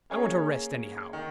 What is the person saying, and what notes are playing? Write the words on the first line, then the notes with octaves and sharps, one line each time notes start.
"I want a rest anyhow...."
A#3 C#4 G#4 C#5
D#3